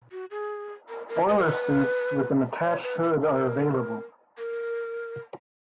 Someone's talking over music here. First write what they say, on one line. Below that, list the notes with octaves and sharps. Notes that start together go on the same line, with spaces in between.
Boilersuits with an attached hood are available.
F#4
G#4
A#4
A#4
B4
A#4
B4
C#5
B4
B4
A#4
A#4